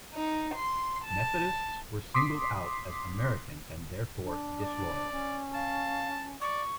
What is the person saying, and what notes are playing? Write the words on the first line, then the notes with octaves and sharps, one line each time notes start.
Methodists were singled out as American and therefore disloyal.
D#4
C6
A5
C6 D6 D#6 B6 C7
D4
D5
C#4
F5 A5
D5 C#6